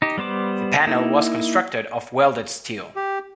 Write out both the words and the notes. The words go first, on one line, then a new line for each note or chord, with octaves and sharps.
The panel was constructed of welded steel.
D#4 G4
G3 B3 C5 D6
A#3 D#4 E4
G4